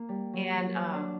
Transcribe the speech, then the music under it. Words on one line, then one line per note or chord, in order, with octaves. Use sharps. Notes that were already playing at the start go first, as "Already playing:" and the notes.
And, um,
Already playing: A#3
G3
F#3
F#3
D4